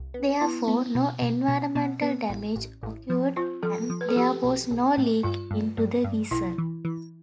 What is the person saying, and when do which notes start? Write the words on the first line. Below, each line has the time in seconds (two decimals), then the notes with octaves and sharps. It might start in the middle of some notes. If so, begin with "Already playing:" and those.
Therefore, no environmental damage occurred and there was no leak into the vessel.
Already playing: C2
0.14 B3
0.41 B3 E4
0.68 B3
0.95 B2
1.22 B2
1.48 B2
1.75 B2
2.02 B3
2.29 A1
2.56 A1
2.83 A1
3.10 F3
3.36 C4 F4
3.63 F3 A4
3.90 F3
4.01 B4
4.09 A4
4.16 F3 G4
4.43 B1
4.71 B1
4.97 A2
5.23 G2 F4
5.51 G2
5.78 G2
6.04 G2
6.31 B1 E4
6.58 E3
6.85 E3